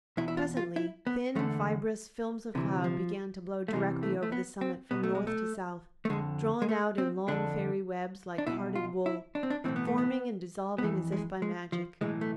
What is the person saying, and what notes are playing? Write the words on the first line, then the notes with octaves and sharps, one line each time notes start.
Presently thin, fibrous films of cloud began to blow directly over the summit from north to south, drawn out in long fairy webs like carded wool, forming and dissolving as if by magic.
E2 B2 E4
E4
F4
F4
E4
B3
E2 D3 A3
D2 C3 E3
F3
A3
E2 C3 E3 G#3
A3
A3
B3
C4
B1 B2 B3
A3
G#3
A3
A3
F2 D3 G#3
G#3
A3
C4
F2 D3 D4
D4
B1 B2 E4
F4
E4
D4
C4
D4
B1 A2 E3 C4
B3
A3
B3
B3
F2 E3 A3
G#3
G#3
F3
B1 A2 E3 G#3
A3